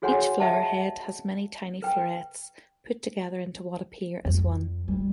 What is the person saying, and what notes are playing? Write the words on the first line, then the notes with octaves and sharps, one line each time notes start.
Each flower head has many tiny florets put together into what appear as one.
F#4 G#4 C#5 F#5 G#5 C6
D#5 E5 F#5 A5
B4 G5
F2
G3